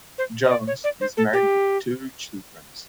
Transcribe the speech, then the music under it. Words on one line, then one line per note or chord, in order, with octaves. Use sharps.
Jones is married with two children.
C5
D#5
D5
C#5
D5
C5
A4
G4